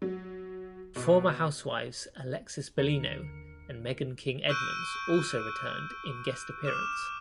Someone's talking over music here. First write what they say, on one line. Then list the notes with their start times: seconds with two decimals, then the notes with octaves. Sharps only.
Former housewives Alexis Bellino and Meghan King Edmonds also returned in guest appearance.
0.02 F#3
0.96 B2
2.78 D#2 D3 A#4 F6 C#7
4.49 C#6 E6 F#6 G6 D7 D#7
6.65 D6 F6 E7